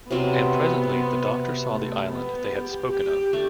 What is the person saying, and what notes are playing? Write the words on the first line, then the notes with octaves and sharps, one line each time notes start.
And presently the Doctor saw the island they had spoken of.
C3 F#3 B3 C4
A3
B3
G4
G4
A3 D4